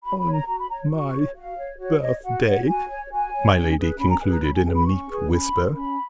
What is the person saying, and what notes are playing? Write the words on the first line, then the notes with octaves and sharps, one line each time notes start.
"On my birthday," my Lady concluded in a meek whisper.
F#4 B5
B5
C#5
A#5
F#4 A#5
B5
C#5 A#5
F#4 C#6
C#5
F#4 F5
C#5
F#4 C#5
C#5 D#5
F#4 F#5
C#5 F#5
F#4 G#5
C#5
F#4 G#5
C#5
C#4
G#4 B4
C#4 B5
A#5
G#4 B4 G#5
A#5
C#4 B5
G#5
G#4 B4 G#5
B5
C#4 C#6
G#4 B4
C#4 B5
F4 A#4
C#4 B5